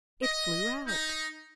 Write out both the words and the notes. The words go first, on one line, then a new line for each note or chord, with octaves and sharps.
It flew out.
D#5
D#4